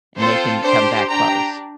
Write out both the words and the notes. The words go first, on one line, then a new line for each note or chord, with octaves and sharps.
and they can come that close.
C4 F4 A4 C5
D4 G4 C5
D4 G4 G5 A#5